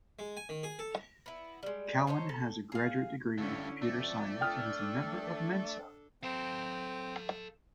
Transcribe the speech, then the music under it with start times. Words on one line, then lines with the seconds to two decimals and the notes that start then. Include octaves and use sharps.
Cowan has a graduate degree in computer science and is a member of Mensa.
0.19 G#3
0.37 G#5
0.49 D#3
0.63 G#4
0.79 A4
1.26 B3 E4
1.63 G3 G#3
2.07 D#4 A4 C5 C#5
2.29 A4
2.72 G#4 F5
3.38 G2 D3 A3 C#4 E4
3.82 F2 A3 D5
4.41 D4 A4 G5 D#6 F6
6.23 C4 A4 F5